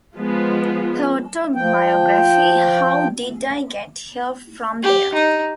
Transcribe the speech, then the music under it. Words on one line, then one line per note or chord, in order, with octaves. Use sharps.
Her autobiography How Did I Get Here from There?
F3 G#3 B3 F4
F3 G5
G4
D#4